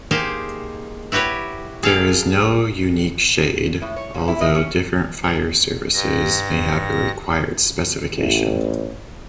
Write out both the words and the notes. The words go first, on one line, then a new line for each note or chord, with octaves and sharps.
There is no unique shade, although different fire services may have a required specification.
A#3 D#4 G4 G#4 C5
E4 F#4 G4 B4 C#5
G#4 A4 F5 G5
A2
C#5
A#2
E4
D#5
C#4
G2 A#6
A1